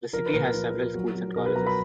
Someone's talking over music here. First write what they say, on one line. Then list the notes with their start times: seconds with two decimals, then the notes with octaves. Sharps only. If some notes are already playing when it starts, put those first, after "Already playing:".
The city has several schools and colleges.
0.13 F3 A#4
0.26 B4
0.33 A#2 A#4
0.54 F3
0.74 F3
0.94 F#3
1.15 F#3
1.36 B2 A#4
1.46 B4
1.56 F#3 A#5
1.67 B5